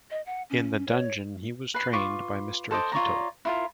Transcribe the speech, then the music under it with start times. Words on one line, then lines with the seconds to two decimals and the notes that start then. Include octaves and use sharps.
In the Dungeon, he was trained by Mr. Hito.
0.11 D#5
0.26 F#5
0.50 C#4
0.88 C#5
1.74 B4 C6
1.93 F4 B4 C#6 D6
2.71 A4 C5 D#5 D6
2.92 F4 C#5 D5 A#5
3.45 E4 F4 A#4